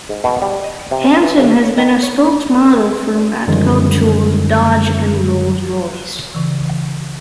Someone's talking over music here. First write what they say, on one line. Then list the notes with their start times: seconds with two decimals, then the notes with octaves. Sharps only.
Hansen has been a spokes-model for Matco Tools, Dodge, and Rolls-Royce.
0.09 G#2
0.24 B2
0.42 G3
0.64 D#5
0.91 C3
1.04 C#4
1.23 E3
1.38 G1
1.64 C#5
1.77 D#3
2.03 C#5
3.48 F#2 D3 D#3 F3 G3 G#3
6.34 C#3 E3